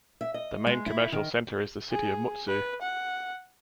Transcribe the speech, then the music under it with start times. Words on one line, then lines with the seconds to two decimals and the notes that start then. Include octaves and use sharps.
The main commercial centre is the city of Mutsu.
0.21 E5
0.34 D#5
0.67 G#3
0.86 E4
1.12 D#3
1.91 G#4
2.47 B4
2.82 F#5